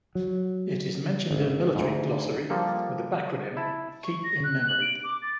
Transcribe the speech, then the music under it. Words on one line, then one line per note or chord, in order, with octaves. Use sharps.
It is mentioned in a military glossary with the backronym "Keep In Memory".
F#3
G#1
D2 G#2
F3 G3 A#3 A4
E4 A5
C#6
A#6
F#6
F#7
D7
D6
A6